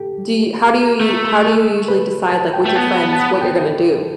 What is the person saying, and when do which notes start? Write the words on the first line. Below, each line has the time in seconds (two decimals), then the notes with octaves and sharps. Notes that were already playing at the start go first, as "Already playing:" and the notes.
Do you how do you u how do you usually decide, like, with your friends, what you're going to do?
Already playing: G4 A4
1.01 A3
1.45 A4
1.88 B4
2.32 A5
2.54 G5
2.66 A3 G5
2.76 B3 A5
2.97 B5
3.13 A5
3.19 B5
3.41 G5
3.63 A4